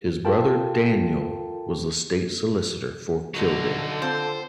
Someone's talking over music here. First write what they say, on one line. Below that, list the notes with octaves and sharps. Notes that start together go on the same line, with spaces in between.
His brother Daniel was the State Solicitor for Kildare.
F4 A4 A#4 G5 A5
D3 F#3 D#4
C4 F4 A4 C5